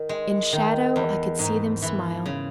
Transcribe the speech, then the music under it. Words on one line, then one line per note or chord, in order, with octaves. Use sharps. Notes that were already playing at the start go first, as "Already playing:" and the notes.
In shadow, I could see them smile.
Already playing: D#3
G#3
D#3
E2
G#2
E3
C#3